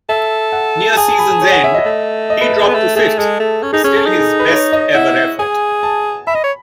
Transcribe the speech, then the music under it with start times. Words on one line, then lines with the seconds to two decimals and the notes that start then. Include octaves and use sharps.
Near season's end, he dropped to fifth, still his best ever effort.
0.09 A4 E5
0.52 F#5
0.92 A4
0.97 G#4 A5
1.08 A5
1.19 B5
1.30 A5
1.41 C#5
1.52 F#5
1.64 E5
1.74 D#5
1.85 A3
2.30 D#5
2.41 B4
2.52 A4
2.63 G#4
2.68 B3
2.74 A3
2.95 A3 G#4
3.18 G#3 A4
3.40 A3
3.62 C#4 A4
3.73 D#4 G#4
3.84 C#4 G#4
3.95 A4
4.06 D#4
4.18 G#4
4.40 B4
4.50 C#5
4.73 D#5
4.94 E4 F#5
5.39 G#4 G#5
5.83 A5
6.27 E5 B5
6.35 D#5
6.44 C#5